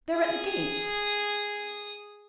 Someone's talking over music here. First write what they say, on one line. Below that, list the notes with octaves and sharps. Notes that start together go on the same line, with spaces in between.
'They're at the gates!
G#4 D#6